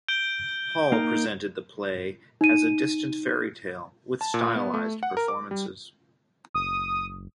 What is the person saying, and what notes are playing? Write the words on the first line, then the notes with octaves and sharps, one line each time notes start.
Hall presented the play as a distant fairy tale, with stylised performances.
G6 D7 G7
A#3 D#4 A#4
D#4 D#7
A5
A#2
B3
A3
F#5
A#4
D6
G3
F#1 D#6